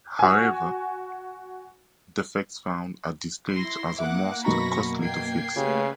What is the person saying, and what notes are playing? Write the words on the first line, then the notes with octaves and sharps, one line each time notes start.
However, defects found at this stage are the most costly to fix.
F#4 G#5
E4 C6 A#6
A#3 E5 F#5 D6 F#6
F#2 B2 A#5 B5 C#6 A#6
G5 G#6 C7
C#3 A3 C#4 G4 B4